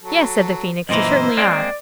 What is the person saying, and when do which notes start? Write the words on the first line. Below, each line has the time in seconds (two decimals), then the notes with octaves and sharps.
'Yes,' said the Phoenix, 'you certainly are.
0.02 F#3 A4
0.89 F#2 A#2 E3 E4 A#4 C5 D#5
1.37 G#3 A#3 C4 D5